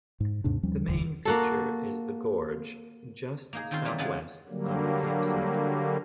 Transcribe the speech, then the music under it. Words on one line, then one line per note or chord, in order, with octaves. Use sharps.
The main feature is the gorge just south west of the campsite.
G#2
D#2 G#2 C3 D4
D#2 F3 G3 C#4
F1 D#2 D3
A#3 F#4 A4
A#3 D#4 G#4
D#3 C4 C#4 F4 C6
E3 G3 A3 A#3
C#3 E3 G#3 B3 F4 G#4
D3 F#3 G3 A#3